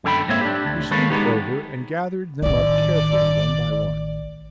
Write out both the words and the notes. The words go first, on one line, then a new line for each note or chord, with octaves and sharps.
He stooped over and gathered them up carefully one by one.
F#2 D3 A4 G5 B5
G#2 A#3 C4 C#5 E5
D4 G4
D2
D#3 G#3 A#3 A4 B4 C#5
G#3 B3 D#4 G4
A1 D#3 D5